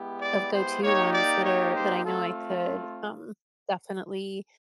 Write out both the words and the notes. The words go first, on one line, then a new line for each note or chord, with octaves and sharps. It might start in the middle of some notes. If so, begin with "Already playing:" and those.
of go-to ones that are that I know I could, um, definitely
Already playing: G#3 B3 E4 G4
D5
C5
A#3 D#4 G4 C#5
D5
C#5
C5
A3 C4 F4 A4